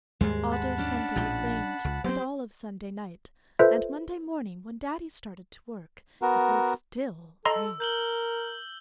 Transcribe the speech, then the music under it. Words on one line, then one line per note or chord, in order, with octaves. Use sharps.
All day Sunday it rained and all of Sunday night, and Monday morning when Daddy started to work it was still raining.
D#2 G#2 G3 G#3
F#5 A5 B5
C#4 D4
A#1 A2 F3
C#2
F#3 C4 G4 C5
F4 A4 B4 C5 E5
B3 F#4 A#4
A4 D#5 A#5 C6 E6
A#4 G6 F#7 G7